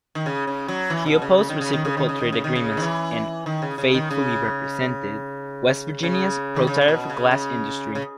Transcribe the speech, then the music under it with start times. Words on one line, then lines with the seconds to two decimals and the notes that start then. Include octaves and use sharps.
He opposed reciprocal trade agreements and "faithfully represented" West Virginia's pro-tariff glass industry.
0.15 D#3
0.26 C#3
0.47 C#3
0.68 F#3
0.90 E3
1.06 B2
1.22 C#3
1.38 C#3
1.49 D#3
1.61 C#3
1.73 D#3
1.85 C#3
1.97 D#3
2.09 C#3
2.20 D#3
2.32 C#3
2.44 D#3
2.56 C#3
2.77 D#3
2.82 E3
3.46 D#3
3.62 C#3
3.78 C#3
3.94 D#3
4.11 C#3
6.03 C#3
6.56 D#3
6.67 C#3
6.81 C#3
6.88 B2
7.10 C#3
7.31 C#3
7.95 C#3